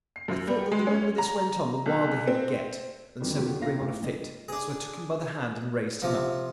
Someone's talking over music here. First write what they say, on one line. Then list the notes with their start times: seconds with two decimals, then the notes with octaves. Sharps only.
I thought that the longer this went on the wilder he would get, and so would bring on a fit; so I took him by the hand and raised him up.
0.16 C7
0.28 F#2
0.47 G3
0.72 G#3
0.87 C#4
1.18 A#5
1.86 B1
2.28 C4
3.20 F2 D3 D#3 F#3 G3 B3
3.37 D3 D#3 F3 D4 F#4 G4
3.59 D#2 B2 D#4 F4 F5 A#6
3.80 A1
4.01 D#2 F3 D4 D#5
4.48 D4 G#4
6.02 C3 F3